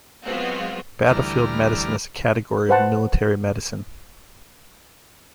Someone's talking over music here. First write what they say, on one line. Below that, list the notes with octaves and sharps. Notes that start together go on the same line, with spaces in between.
Battlefield medicine is a category of military medicine.
F#3 G#3 B3 C4 F4 F#4
D2 E3 G3 D5 A#5 F6
B4 C5 F#5 A5